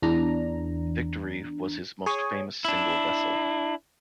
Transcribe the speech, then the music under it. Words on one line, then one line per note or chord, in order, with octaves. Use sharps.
"Victory" was his most famous single vessel.
E2 D4 A#5
G#4 C#5 G#5
D4 E4